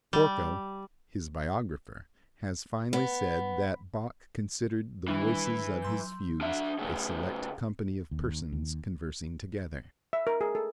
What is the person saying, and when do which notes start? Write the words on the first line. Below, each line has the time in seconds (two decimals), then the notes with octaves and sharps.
Forkel, his biographer, has finely said that Bach considered the voices of his fugues a select company of persons conversing together.
0.13 G3
2.93 B3
5.08 D#3 E3 G3 D4
5.82 F#3 C6 G6
6.41 D4 E5
6.79 C#3 A3
8.11 D#2
8.52 D#2
10.13 E5
10.27 A#4
10.41 G#4
10.55 A4